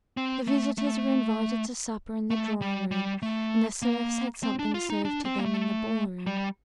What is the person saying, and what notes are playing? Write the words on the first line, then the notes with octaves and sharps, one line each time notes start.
The visitors were invited to supper in the drawing room, and the serfs had something served to them in the ballroom.
C4
A3
A3
A3
G3
G3
A3
A#3
C4
D4
F4
D#4
D4
C4
A#3
A3
G3